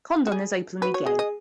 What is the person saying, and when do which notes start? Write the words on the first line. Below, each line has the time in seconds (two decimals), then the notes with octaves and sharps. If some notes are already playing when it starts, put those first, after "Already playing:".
Condon is openly gay.
0.27 F#4
0.32 G#4
0.81 F#4 B4
0.94 C#5
1.06 G#4 D#5
1.19 D#5